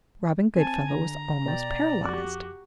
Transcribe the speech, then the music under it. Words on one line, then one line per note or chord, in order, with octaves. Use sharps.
Robin Goodfellow was almost paralyzed.
C4 G#5 A5
D3 A#5
B2 D5 G5
F2 F#4 G4 D6 F#6